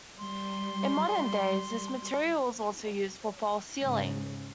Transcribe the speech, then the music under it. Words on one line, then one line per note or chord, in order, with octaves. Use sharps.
In modern days this material is also used for False Ceiling.
G3 C6
G#2 C#3